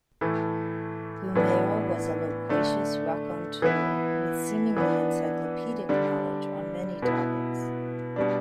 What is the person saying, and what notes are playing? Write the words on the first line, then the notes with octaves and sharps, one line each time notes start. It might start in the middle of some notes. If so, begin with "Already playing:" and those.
Gummere was a loquacious raconteur with seemingly encyclopedic knowledge on many topics.
A2 E3 A3
A2 E3 B3 D4
D3 A3 D4
E3 B3 E4
E3 B3 D4
D3 G3 D4
B2 B3 E4
B2 G3 D4